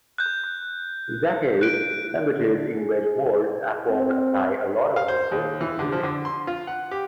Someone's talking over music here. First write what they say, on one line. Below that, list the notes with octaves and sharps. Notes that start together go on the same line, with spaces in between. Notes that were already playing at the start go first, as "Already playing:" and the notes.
That is, languages in which words are formed by a lot of linguistic units.
F#6 G6
F#6 D7
D3
G#4
C4
F5
C5
D#2
E3
D3
F3
D3
C6
F4
F#5
G4